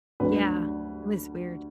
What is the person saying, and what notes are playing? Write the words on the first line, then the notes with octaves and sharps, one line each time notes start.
Yeah. It was weird.
D2 D3 F#3 B4